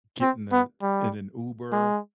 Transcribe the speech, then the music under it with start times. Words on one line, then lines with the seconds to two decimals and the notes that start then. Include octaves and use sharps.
get in the in an Uber,
0.21 C4
0.52 B3
0.82 G3
1.72 G#3